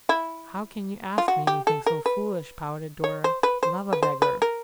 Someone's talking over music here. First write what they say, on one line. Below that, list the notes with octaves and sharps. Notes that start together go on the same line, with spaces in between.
'How can you ask me anything so foolish?' pouted Dora. 'Love a beggar!'
E4
F4
F#4
G4
A4
A#4
B4
C#5
C5
B4
C5
B4
C5
B4
A#4